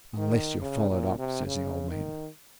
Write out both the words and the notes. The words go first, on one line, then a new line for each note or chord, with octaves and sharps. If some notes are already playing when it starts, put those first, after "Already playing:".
'Unless you're followed up,' says the old man.
D#3
C#3
A#2
C3
C#3
D#3